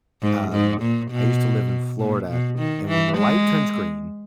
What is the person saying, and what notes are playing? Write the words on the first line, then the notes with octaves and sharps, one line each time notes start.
Um, I used to live in Florida, and when the light turns green,
G#2
G#2
A#2
B2
A#2
B2
D#3
E3
G#3